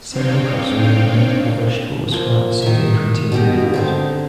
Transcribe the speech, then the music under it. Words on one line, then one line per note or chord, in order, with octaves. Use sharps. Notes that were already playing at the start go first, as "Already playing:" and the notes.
Several crops will yield multiple vegetables throughout the season if continually watered.
C4 D4 D#4 C#5 F5 G5
F3 A#3
D#3 E5
B2 G4 D#5
D3 C4 D#4